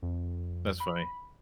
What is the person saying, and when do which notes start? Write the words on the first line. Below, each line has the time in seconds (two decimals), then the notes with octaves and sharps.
That's funny.
0.02 F2
0.80 B5